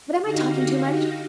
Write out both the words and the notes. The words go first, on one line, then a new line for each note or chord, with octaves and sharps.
But am I talking too much?
D3 D#4 F#4 G4 F5 A#6